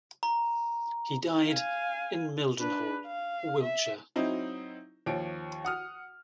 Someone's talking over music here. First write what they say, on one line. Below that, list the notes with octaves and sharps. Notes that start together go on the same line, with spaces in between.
He died in Mildenhall, Wiltshire.
A#5
F5 G#5
D4 B4
F5
E5
F#3 C4 D#4 E4
D#2 F3 C#5 D7
F#5 D#6 F6